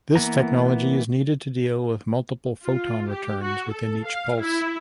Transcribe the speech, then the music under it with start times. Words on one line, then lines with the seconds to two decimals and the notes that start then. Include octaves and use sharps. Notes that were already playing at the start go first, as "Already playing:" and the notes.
This technology is needed to deal with multiple photon returns within each pulse.
0.15 E3 A#3 B3 A#5
2.64 F4
3.09 G4
3.41 F#4
3.71 A4
4.06 F5
4.40 E4